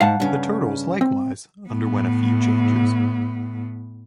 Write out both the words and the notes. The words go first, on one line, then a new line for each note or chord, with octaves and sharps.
The Turtles, likewise, underwent a few changes.
G#2 F5 F#5 A5
G2 C#3
C4
A2 B3